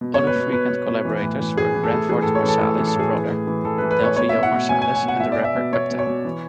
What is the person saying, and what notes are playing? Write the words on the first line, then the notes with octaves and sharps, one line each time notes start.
Other frequent collaborators were Branford Marsalis' brother, Delfeayo Marsalis, and the rapper, Uptown.
B2
B2 C#5
B4
B2
B2 B4
B2
B2
E3
A2
E3
A2 G#4
E3
A4
A2
E3 G#4
A2 A4
C#5
E3 A4
A2 A4
E3
A4
A2 G#4
E3
A2
E3
A2 A4
B4
E3
B4
A2 C#5
B2 C#5
B2 E5
F#5
B2
B2 G#5
B2 G#5
G#5
B2
F#5
B2 E5
D5
B2
E5
B2
B2 C#5
B2
C#5
B2
E3